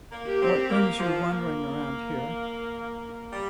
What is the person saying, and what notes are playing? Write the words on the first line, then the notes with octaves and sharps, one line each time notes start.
What brings you wandering around here?
A#3
G4
C4
A#3
F3
A#3
G3